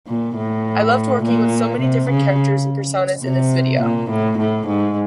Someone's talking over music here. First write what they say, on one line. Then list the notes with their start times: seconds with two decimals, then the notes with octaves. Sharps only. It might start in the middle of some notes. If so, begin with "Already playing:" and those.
I loved working with so many different characters and personas in this video.
0.08 A#2
0.37 A2
1.23 A#2
1.80 C3
2.10 C#3
3.24 C3
3.80 A#2
4.10 A2
4.38 A2
4.67 G#2